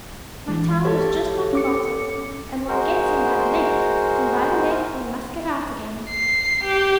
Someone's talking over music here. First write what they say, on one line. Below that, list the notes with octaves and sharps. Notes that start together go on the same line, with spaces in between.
My town is just like a bottle; and one gets in by the neck, and by the neck one must get out again!
A1 E3 G#3
G4 A4 C#5
C#4 D6 C#7
G#3 F#4 A#4 C5
C7
G4